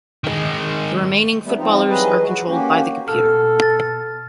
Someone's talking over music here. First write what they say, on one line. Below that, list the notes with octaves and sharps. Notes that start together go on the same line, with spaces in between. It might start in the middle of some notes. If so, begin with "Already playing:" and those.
The remaining footballers are controlled by the computer.
D#3 G#3
G3 A3 B3
F3 C4 D#4
E3 F#3 G3 G#4 B4 D#5
F#4
A#3 C#4 F#4 G4
B2 A4 F6
A6